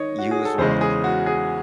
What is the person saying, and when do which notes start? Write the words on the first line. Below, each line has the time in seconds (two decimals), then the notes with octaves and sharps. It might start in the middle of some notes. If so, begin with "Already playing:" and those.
You as well.
Already playing: D#3 C#5 D#5
0.19 F#4
0.31 G#4
0.45 A4
0.58 E2 C#3 G#3 C5
0.81 G#4
1.04 F#4
1.26 G#4